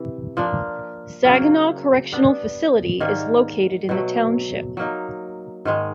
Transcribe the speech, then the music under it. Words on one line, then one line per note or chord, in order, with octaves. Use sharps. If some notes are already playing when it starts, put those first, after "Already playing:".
Saginaw Correctional Facility is located in the township.
Already playing: C3 E3
F3 A#3 D4
C#3 F#3 A#3
G3 B3 D4
G#2 D#3 G3 A#3
B2 F#3 A3
F#3 A#3 D#4
G#2 D#3 G#3